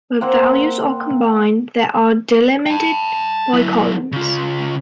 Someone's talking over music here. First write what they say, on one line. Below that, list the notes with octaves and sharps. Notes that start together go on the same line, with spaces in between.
Where values are combined, they are delimited by colons.
A#3 C4 F#5
G5 A5
F#3 E4
C#3 F4